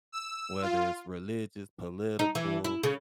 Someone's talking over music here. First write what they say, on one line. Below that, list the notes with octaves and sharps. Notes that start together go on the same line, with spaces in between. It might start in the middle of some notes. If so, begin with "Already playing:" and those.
whether it's religious, political,
E6
F4
D#4
E3
E4
C#3